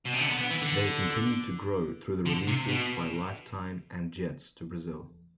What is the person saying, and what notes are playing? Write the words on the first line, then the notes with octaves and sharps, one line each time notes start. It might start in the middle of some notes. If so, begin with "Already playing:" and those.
They continued to grow through the releases by Lifetime and Jets to Brazil.
B2
C3
D3
B3
B3
E3
D3
D3
C3
B2